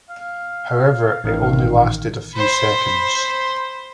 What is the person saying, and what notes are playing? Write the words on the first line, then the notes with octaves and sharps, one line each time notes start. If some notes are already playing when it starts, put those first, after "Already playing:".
However, it only lasted a few seconds.
F5
A1 D#3
C5 B5